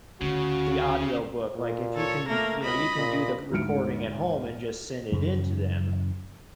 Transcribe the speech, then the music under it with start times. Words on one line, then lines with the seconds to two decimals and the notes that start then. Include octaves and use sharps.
the audio book, like, if you can, you know, you can do the recording at home and just send it into them.
0.21 D2 C#3 F#4
1.55 A#2
1.96 A4 C#5
2.28 A3 A#3 A#4
2.63 C#2 D#5 B5
2.97 A#2
3.51 D2 G#2 F6 C#7 D7
5.12 F#2 C#3 E3